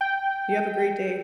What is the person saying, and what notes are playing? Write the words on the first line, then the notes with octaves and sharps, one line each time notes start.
You have a great day.
G5